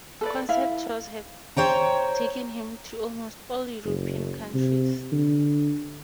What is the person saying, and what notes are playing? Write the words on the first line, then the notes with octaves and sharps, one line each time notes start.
Concert tours have taken him to almost all European countries.
A4 B4 D5
E4 F5
C5 C#5 G5 A#5
F#1
C3
D3